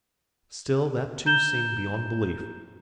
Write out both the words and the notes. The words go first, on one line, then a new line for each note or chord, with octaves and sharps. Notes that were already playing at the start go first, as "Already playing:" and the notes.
Still, that too seemed beyond belief.
A#5 G6 E7 G7